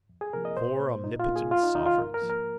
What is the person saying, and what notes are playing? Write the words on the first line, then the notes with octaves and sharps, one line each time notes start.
Four omnipotent sovereigns.
F2
G#4
C3 F3 A#3 A#4
D#5
A#2 C5
A#3
A#2 D#4
F4
A#3
G#4
F2 F4
D#4
C3 D#3 D#4
F4
G#2 A#4
A#4
F3 A#3
A#4